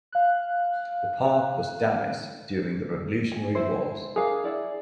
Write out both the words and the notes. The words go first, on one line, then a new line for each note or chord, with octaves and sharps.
The park was damaged during the Revolutionary wars.
F5 F#6
G#5
E4 C5
D4 G#4 A#4 F5
E4 D5 F#5